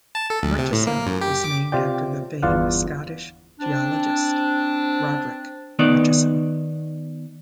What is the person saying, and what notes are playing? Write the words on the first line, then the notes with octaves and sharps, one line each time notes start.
Murchison was named after the famed Scottish geologist Roderick Murchison.
A5
A4
D2
C3
A2
A#3
F#2
G4
D6
C3 F4 D5 G5
G1 E2 F4 D5 F5 F#5
C4 D4
D#3 B3 D#4 D5